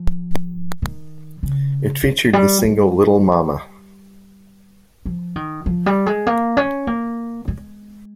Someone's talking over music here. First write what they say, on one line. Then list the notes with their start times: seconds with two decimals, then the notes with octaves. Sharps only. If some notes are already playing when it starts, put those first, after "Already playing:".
It featured the single "Little Mama".
Already playing: F3
0.82 D#3
1.43 C#3
2.03 D#3
2.33 G3
2.64 G3
5.06 F3
5.36 D#3
5.66 F3
5.86 G3
6.06 G#3
6.27 A#3
6.57 C#4
6.87 A#3
7.48 G#3